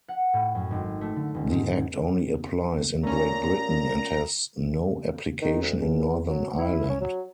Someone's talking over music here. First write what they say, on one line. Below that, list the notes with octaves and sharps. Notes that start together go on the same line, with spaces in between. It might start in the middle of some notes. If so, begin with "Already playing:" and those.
The Act only applies in Great Britain and has no application in Northern Ireland.
F#5
A2
F#2
G#1
A3
D3
D#1
G#2
A#2 A3 C#4 A#5
D#3
D2
E2
F#3
E4
C#4
F#3